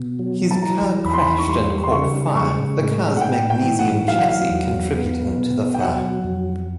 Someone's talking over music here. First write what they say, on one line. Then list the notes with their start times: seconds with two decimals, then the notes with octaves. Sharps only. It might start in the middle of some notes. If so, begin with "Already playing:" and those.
His car crashed and caught fire, the car's magnesium chassis contributing to the fire.
Already playing: B2
0.19 F#3
0.51 A5
0.62 E3 A#5
1.05 E2 B5
1.13 C6
1.22 B5
1.38 C#6
1.48 G3 C6
1.83 C6
1.91 C#3 C#6
2.35 G#3 C#6
2.79 A2
3.17 F#5
3.21 A2 G5
3.50 G5
3.64 E3
3.79 F#5
4.07 F#3 F5
4.18 F#5
4.29 F5
4.50 E2
4.94 B3
5.38 B2
5.74 G5
5.80 F#3 F#5
6.24 F2